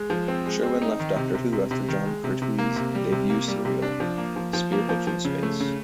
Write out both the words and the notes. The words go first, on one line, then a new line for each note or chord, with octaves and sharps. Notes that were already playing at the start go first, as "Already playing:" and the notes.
Sherwin left "Doctor Who" after Jon Pertwee's debut serial, "Spearhead from Space".
Already playing: G#3
F3
C4
G#3
C4
D#4
D#3
C3
C3
C3
C3
D#3
G#3
C3
C3
A#3
C3
G3
C3
A#3
G3
C3
D4
F3
A#3
F3
F3
A#3
F3
F3
C#3
A3
C#3